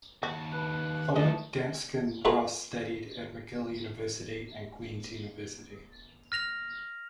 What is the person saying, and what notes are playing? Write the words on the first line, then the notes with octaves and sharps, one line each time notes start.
Philip Dansken Ross studied at McGill University and Queen's University.
D#2 F#4 A5
B4 F#6
F3 F#3 A3 D#4 D#5 A5
A3 F4 F#4 G#4 A#4 B4
F6 A#6 F7